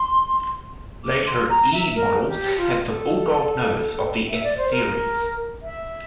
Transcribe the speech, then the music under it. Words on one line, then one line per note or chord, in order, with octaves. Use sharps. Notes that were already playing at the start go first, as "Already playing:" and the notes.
Later E models had the "bulldog nose" of the F series.
Already playing: C6
D6
C6
A#5
E5
A#4
G4
F4
A4
E5
D5
C5
A#4
E5